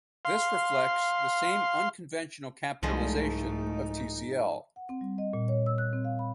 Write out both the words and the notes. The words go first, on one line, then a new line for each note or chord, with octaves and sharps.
This reflects the same unconventional capitalization of Tcl.
F5 C6
C2 G#2 F3 G#3 A3 D#4
F#5
C4
G3
D#5
A#2
C#5
E6
F#6
C4
F5
B5